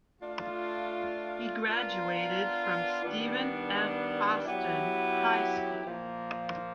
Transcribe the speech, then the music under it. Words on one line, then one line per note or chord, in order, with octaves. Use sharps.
He graduated from Stephen F. Austin High School.
A3 D4 F4
B3 D4 F4 A#4
D#3 G3 B3 D4
F#3 B3 E4 G4
A#2 F3 A#3